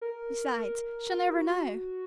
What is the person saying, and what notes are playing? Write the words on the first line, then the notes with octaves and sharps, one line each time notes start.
Besides, she'll never know.
A#4
F#4